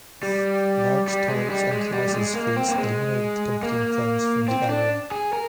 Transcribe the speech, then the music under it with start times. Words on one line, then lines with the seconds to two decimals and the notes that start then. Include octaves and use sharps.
Large tariffs and license fees eliminated competing firms from the area.
0.23 G3
1.08 G3
1.29 G#3
1.50 G3
1.72 G#3
1.93 G3
2.08 G3
2.14 G#3
2.35 A#3
2.57 C4
2.69 A#3
2.78 G#3
3.63 A#3
4.48 C4
4.69 D4
5.11 G#4
5.33 A#4